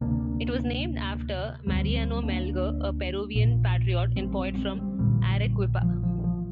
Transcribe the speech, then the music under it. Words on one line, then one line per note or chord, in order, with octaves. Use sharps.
It was named after Mariano Melgar, a Peruvian patriot and poet from Arequipa.
D2 C3 A#3 D4
D2 D3 G3 C4
G3 C4
A#3 D4
A#1 A#2
G3 C4
G3 C4
G3 C4
G3 C4
A#1 A#2 D3 G3
F3
F3
F3